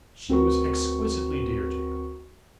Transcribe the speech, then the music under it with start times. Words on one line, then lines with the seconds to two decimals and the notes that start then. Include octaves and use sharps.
She was exquisitely dear to him.
0.29 D2 C4 F#4 A#4 B4 C#6